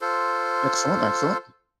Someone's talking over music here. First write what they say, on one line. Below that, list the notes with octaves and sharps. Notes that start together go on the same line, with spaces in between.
Excellent, excellent.
F4 A4 C5